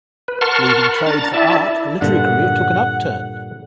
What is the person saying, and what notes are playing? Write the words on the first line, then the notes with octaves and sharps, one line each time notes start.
Leaving trade for art, her literary career took an upturn.
B4
A#4 F#5 A5 C6 C#6 F6
B5
D4 A#5 A6
E4 D5 E5 A5
G2 A#2 D3 F#5